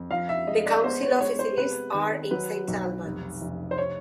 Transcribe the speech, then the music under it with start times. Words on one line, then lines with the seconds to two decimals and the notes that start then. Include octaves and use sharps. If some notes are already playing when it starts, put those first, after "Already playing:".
The council offices are in Saint Albans.
Already playing: F2
0.10 F3 F5
0.29 E5
0.47 G#3 D#5
0.66 D5
0.84 B3 C5
1.02 C#5
1.21 G#3 C#5
1.39 C5
1.57 C3 B4
1.94 D#3
2.31 F#3 B4
2.68 B1
3.05 F1
3.41 F1
3.71 C5
3.78 C#5